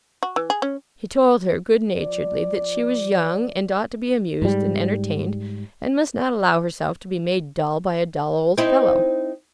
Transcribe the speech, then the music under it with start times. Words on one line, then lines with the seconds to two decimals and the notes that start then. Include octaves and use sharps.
He told her, good-naturedly, that she was young and ought to be amused and entertained, and must not allow herself to be made dull by a dull old fellow.
0.23 F#4
0.36 E3
0.50 G#4
0.62 C#4
1.96 F3 D5
4.42 G#2 G3
8.58 C4 D#4 E4